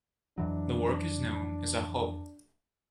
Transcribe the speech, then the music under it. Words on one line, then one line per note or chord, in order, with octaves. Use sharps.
The work is known as "Akhob".
F2 E3 F#3 D4